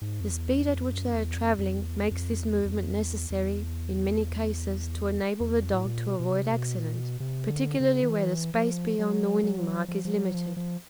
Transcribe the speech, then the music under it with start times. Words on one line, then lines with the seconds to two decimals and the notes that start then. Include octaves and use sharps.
The speed at which they are travelling makes this movement necessary in many cases to enable the dog to avoid accident, particularly where the space beyond the winning mark is limited.
0.02 G#2
0.20 F2
0.32 E2
0.61 F2
0.91 F#2
1.13 E2
1.36 F2
1.58 F2
1.81 E2
2.11 F2
2.41 E2
2.65 E2
2.71 F2
3.01 E2
3.30 E2
5.40 E2
5.62 F2
5.74 A2
5.85 A#2
6.08 B2
6.20 B2
6.30 C3
6.52 B2
6.75 A#2
6.97 B2
7.20 C3
7.50 D3
7.80 C#3
8.03 D#3
8.10 E3
8.54 F3
8.99 F#3
9.43 F#3
9.88 F3
10.05 F3
10.11 F#3
10.34 F3
10.57 F3